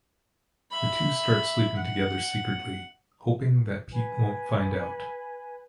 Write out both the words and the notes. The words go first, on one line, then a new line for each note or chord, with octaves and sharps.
The two start sleeping together secretly, hoping that Pete won't find out.
E5 B5
F#5
B4 G#5